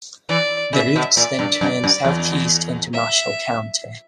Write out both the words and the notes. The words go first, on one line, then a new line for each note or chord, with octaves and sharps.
The routes then turn southeast into Marshall County.
E3 D5
C#3 E5
B2
A#2 D5
G2
F#2
F#2
E2
E5